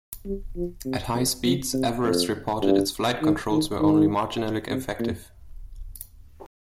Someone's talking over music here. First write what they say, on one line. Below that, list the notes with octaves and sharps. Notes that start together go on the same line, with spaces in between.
At high speeds, Everest reported its flight controls were only marginally effective.
G3
F3
C3
F2
F3
C3
F2
G2
D#3
D#3
D#3
C3
A#2